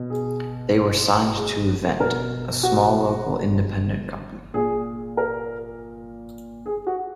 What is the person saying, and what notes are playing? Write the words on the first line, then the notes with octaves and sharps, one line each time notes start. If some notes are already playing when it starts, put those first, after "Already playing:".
They were signed to Vent, a small local Independent company.
Already playing: B2
G#4
G#4
B2 A#4
F#4
A#2 G#4
A#4
G#4
F#4